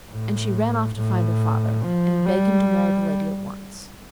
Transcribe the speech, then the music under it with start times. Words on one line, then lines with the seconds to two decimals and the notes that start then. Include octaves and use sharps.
And she ran off to find her father, and beg him to marry the lady at once.
0.11 A2
0.96 A2
1.83 F3
2.26 G3